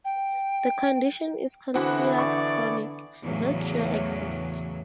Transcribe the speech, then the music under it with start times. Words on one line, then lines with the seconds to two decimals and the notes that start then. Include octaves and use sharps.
The condition is considered chronic; no cure exists.
0.05 G5
1.74 D3 E3 B3 C4 E4 F#4 B5
2.19 D5 C#6
3.24 E2 A2 C#3 F#3